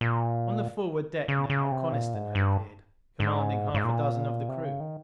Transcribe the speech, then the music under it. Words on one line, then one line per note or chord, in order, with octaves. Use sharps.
On the forward deck now Coniston had appeared, commanding half a dozen of the crew.
A#2
C#3
C#3
C3
A#2
G#2
G2
G#2
G#2
A#2
C3
C#3
D#3